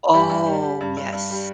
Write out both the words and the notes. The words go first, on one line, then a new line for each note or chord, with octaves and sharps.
Oh, yes.
G2 G4
G2
G3
G3
G2
G2
G2
G3